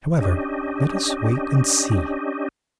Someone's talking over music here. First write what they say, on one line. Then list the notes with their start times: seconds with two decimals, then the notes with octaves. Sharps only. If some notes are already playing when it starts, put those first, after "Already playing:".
However, let us wait and see.
0.20 C#4 D4 G4 D#5